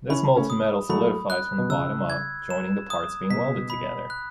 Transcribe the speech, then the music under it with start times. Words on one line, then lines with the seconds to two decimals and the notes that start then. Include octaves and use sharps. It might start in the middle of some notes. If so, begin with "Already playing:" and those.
This molten metal solidifies from the bottom up, joining the parts being welded together.
0.09 C#4 E4 B5
0.36 A3 C#4
0.50 D#6
0.89 F#3 A3 B5
1.30 F#6
1.58 B2
1.69 C#3 E6
2.10 G#6
2.50 E7
2.90 D#6
3.30 B2 B6
3.70 B5
4.10 F#6